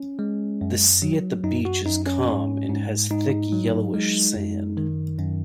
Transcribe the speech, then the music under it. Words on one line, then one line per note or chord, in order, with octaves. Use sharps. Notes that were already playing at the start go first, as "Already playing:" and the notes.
The sea at the beach is calm and has thick, yellowish sand.
Already playing: C#4
G#3
F#2
F#3
F#2 D#4
F#4
F#2 D#4
C#4
G#2
G#2
G#2 D#4
F#3
G#3
F#2
D#3
F#2